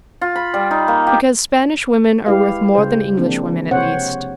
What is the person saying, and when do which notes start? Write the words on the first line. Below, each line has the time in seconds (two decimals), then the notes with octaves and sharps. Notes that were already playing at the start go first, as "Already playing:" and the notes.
"Because Spanish women are worth more than English women at least."
0.21 F4
0.36 B5
0.54 G3
0.71 D#4
0.88 A#3
1.07 G4
2.26 G#3 E4 G4 B4 F5
2.75 C#3 G#3 C5
3.17 F3 A#3 C4 D4
3.71 C3 C4 C5 C#5 F#5